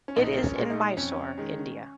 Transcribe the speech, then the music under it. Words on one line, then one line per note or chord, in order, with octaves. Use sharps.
It is in Mysore, India.
C#4
A#1 D#4
A#3
C#4
A#2 G#3
D#4
F2 C#4
D#3 G#3